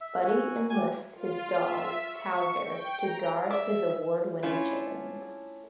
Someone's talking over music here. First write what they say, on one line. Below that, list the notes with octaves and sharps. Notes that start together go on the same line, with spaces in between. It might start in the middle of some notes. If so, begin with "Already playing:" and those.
Buddy enlists his dog, Towser, to guard his award-winning chickens.
E5 E6
F#4 F#5 G#5
F#4 G5 G#5 D6
F4
E5
C#6
G5
A#5
D5 E5
A3 C#4 D4 E4 F4